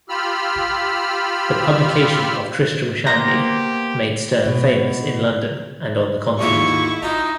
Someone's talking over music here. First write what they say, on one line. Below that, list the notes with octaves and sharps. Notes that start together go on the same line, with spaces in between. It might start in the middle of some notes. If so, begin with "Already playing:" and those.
The publication of "Tristram Shandy" made Sterne famous in London and on the continent.
F4 G4 B5 E6 F6
A#3 B3 G4 C5 A#5
B2
D#2 G#2 F3 E4 C#6
D#4 F4